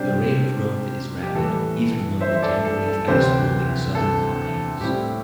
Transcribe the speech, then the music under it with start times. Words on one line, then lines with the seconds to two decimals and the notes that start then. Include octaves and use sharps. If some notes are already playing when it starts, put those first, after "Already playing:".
The rate of growth is rapid, even among the generally fast-growing southern pines.
Already playing: C3 G3 D4 G4 C5
1.23 G4
1.34 A2 E3 G3 A4
2.21 C5 E5
2.34 E5
2.42 A4 D5
2.65 A4
2.87 A4
3.07 D2 C3 E3 G4 C5
3.95 A4
4.81 A2 G3 C4 E4 G4